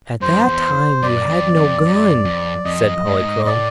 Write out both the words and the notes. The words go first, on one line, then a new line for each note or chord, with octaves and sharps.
"At that time you had no gun," said Polychrome.
F#2 C5
E2
F#2 D5
F2
F2
F#2
F2
F2 D#5
G#2
A2
G#2
A2 D5